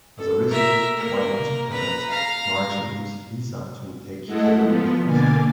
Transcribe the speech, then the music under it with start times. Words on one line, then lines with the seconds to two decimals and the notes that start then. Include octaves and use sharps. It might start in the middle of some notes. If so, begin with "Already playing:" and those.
As a result, while hospitalized, Marge leaves Lisa to take care of the house.
0.18 A4
0.50 A#4 E5
0.97 A#3 A#4
1.70 B4 A#5
2.10 F5 A#5
4.25 G#3 A3 E4 A4 D#5 F#5
4.61 F3 B3
5.04 B2 D3 A#3 G#5 D6 A6